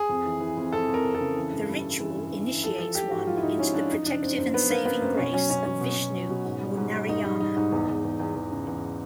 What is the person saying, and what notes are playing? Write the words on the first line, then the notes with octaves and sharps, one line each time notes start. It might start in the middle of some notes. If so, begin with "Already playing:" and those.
The ritual initiates one into the protective and saving grace of Vishnu or Narayana.
Already playing: G#4
F2
E3
E3
F2
F2 A4
F2
A#4
F2
A4
C#3
E3
G2
G3
G3
E3
G2
G2
E3
F3 A4
F3 A4
F3 G4
G#2 F#4
F3 F4
E4
G#2 D#4
G#2 C#4
F3 D4
F#2 D#4
C#3 D4
F#2 C4
F#2 C4
F#2 B3
F#2 A#3
F#2 B3
F#2 C4
B2 C#4
F#3 C#4
B2 C#4
F#3 C#4
B2
B2
F#3
B2
G#2
G3
G#2
G3
G#2 D#4
G3 D#4
G3 D#4
G#2 D#4
E2
E2
E2
E2
E2
C#3
E2